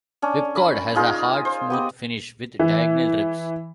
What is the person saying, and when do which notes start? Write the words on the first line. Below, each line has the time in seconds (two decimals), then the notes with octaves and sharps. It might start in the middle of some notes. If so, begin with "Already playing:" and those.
Whipcord has a hard smooth finish with diagonal ribs.
0.22 C#4 D4
0.55 A#4 B5
0.95 D#4 F4 G#4 A#4
1.45 C5
1.70 B3 G4 D#5
2.59 E3